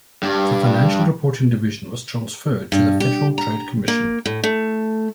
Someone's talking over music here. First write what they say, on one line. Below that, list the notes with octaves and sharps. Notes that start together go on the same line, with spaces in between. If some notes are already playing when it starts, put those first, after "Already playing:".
The Financial Reporting Division was transferred to the Federal Trade Commission.
G2 G3
G2
G4
A#5
A#3
A2
A3